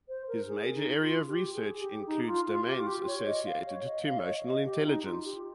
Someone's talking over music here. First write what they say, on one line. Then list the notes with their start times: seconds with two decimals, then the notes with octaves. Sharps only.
His major area of research includes domains associated to Emotional Intelligence.
0.08 C5
0.28 A#4
0.47 G#4
0.75 D#4
1.00 F4
1.28 G4
1.54 G#4
1.80 G4
2.07 D#4
2.27 F4
2.47 F4
2.67 G4
2.80 F4
2.87 G4
3.07 C#5
3.26 D#5
3.46 F5
3.66 C#5
3.86 D#5
4.05 F5
4.19 C#5
4.25 D#5
4.45 D#5
4.66 G4
4.85 D#4
5.05 F4
5.25 G4